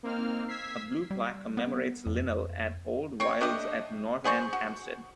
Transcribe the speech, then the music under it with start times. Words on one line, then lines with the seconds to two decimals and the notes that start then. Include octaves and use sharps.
A blue plaque commemorates Linnell at Old Wyldes' at North End, Hampstead.
0.03 A#3 C4 D#4 F6
0.48 E6 G#6 B6 C7
1.11 G3
1.57 B3
2.06 F2
3.20 C4 C#5
3.41 A3 D4 G4 D#5
4.24 B3 G#4 C5 C#6
4.53 F#4